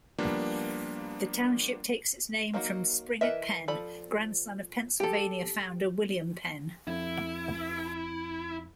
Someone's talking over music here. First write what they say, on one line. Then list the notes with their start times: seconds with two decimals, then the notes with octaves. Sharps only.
The township takes its name from Springett Penn, grandson of Pennsylvania founder William Penn.
0.18 F3 G3 A#3 B3 D4
2.54 F#3 A#3 D#4 E4 F#4
3.21 E3 A#4 B4 D#5 E5
3.68 F3 A4 D5 B5
5.00 G4 A4
6.87 F2 E4